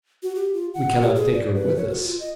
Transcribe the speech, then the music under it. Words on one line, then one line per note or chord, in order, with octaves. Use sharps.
"We cannot take her with us."
F#4
G4
F4
F#5
G4
G#4
D5
B4
C#5
F#4
F4
D#5